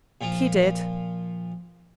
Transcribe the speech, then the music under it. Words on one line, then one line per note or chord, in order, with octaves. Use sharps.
"He did."
A#2 F3 F4